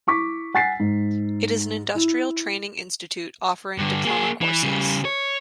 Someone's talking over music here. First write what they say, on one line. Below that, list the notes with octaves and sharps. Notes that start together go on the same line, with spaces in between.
It is an industrial training institute offering diploma courses.
E4 C#6 D6 B6
F#5 G#5 A6 B6 C7
G#2
E4
G2 D3
A#3 G#4
E3
C#3 G3
C#5